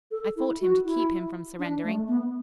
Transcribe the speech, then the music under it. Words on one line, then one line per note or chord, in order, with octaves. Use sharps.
I fought him to keep him from surrendering.
A4
E4
F#4
E4
D4
A3
B3